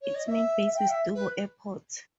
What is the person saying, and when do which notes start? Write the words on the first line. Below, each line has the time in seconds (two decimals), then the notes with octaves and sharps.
Its main base is Dubbo Airport.
0.01 C#5
0.14 D#5
0.26 E5
0.70 E5
0.76 G5
0.89 E5
1.14 B4